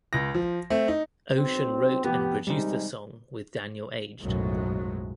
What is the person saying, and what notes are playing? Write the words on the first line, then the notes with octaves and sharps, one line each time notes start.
Ocean wrote and produced the song with Daniel Aged.
C#2 A#6
F3
A3 C4
D#4
B1 C4
F1 B3 G4
C3 D#3 G3 G#3 D#4
B1 F#2 A2 F3 F#3 G#3